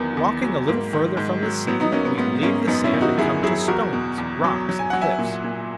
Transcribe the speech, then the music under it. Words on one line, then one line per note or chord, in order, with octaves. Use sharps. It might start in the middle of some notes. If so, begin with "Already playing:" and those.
Walking a little farther from the sea, we leave the sand and come to stones, rocks and cliffs.
Already playing: E2 D#3 F#3 B3
E2
F#3
G#2 A#3
D#3
G#2
F#3
F#3 B3
B3 D#4
F#3 A#3 C#4
B3
G#2 B3
G#2 A#3 C#4
F#2 B3 D#4
C#4 E4
D#3
D#4 F#4
F#2 E4 G#4
F#3 E4 G#4
E2 F#4 A#4
B2
E2
F#3
F#3
G#5
F#3 F#5
E5 G#5
A#2
A#2